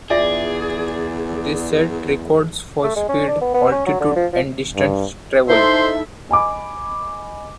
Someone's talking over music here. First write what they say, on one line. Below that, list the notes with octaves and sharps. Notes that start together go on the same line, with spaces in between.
They set records for speed, altitude and distance travelled.
E2 D4 F4 G#4 D5 E5
A3
G#3
C#4
D4
B3
B3
C#4
F#3
D3
F3
F3
G2
D#4 E4 A4 C5 E5 C6
D#5 G#5 B5 D6